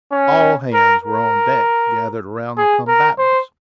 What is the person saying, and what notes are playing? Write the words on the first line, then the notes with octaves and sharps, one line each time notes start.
All hands were on deck, gathered around the combatants.
C#4
A#4
A#4
G#4
A#4
C5